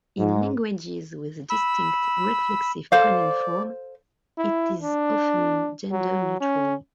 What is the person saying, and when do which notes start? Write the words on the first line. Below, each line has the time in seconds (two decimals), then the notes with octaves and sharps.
In languages with a distinct reflexive pronoun form, it is often gender-neutral.
0.18 G#2
1.50 B5 E6
2.92 A4 C5 D5 F5
4.38 E4
4.82 D4
5.91 F#3
6.41 C#4